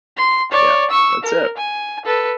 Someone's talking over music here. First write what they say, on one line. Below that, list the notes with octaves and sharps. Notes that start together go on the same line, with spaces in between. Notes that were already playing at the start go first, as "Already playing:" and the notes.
Yeah, that's it.
C6
C#5 D5
C#6 E6
A#4
G#5
A4 B4